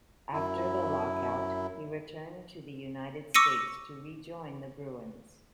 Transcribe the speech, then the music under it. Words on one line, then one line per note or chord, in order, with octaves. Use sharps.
After the lockout, he returned to the United States to rejoin the Bruins.
F#2 E4
C#6 D6 E6 A#6 C#7 D#7